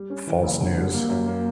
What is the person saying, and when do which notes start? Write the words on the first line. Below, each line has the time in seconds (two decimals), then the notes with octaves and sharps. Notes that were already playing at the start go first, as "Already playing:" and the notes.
false news.
Already playing: G3
0.10 C#4
0.27 E3
0.43 F#1
0.60 D3
0.77 G3
0.93 A#3
1.09 F#2
1.27 A#3